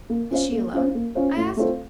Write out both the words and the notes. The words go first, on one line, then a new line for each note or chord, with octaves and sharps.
"Is she alone?" I asked.
A#3
C#4 F4 C5 F5
A#3
C#4 F4 C5 F5
A#3
C#4 F4 C5 F5
A2
A3 C4 F4